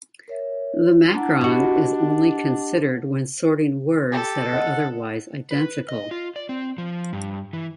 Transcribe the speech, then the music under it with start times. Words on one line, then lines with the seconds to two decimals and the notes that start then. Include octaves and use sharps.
The macron is only considered when sorting words that are otherwise identical.
0.28 A#4 C#5 E5
1.14 D4 E4 F#5 A#5
1.41 E4 F#4 G4 D#5 F#5
4.12 G4 A4
4.53 D#5 F#5
5.51 B4
5.89 D#5
6.11 F4
6.36 D5
6.49 C4
6.78 F3
7.13 G2
7.53 E3